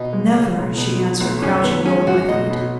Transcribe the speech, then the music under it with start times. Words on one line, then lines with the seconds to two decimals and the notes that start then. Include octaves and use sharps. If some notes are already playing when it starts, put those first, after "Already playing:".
"Never!" she answered, crouching low at my feet.
Already playing: B2 D#4
0.13 G#3
0.34 C#2
0.56 B1
0.77 B2
0.99 F#3
1.20 B1
1.42 F#2 C#4
1.63 D#3 B3
1.86 G#3 C#4
2.07 F#2 F#4
2.29 B1 D#5
2.51 B2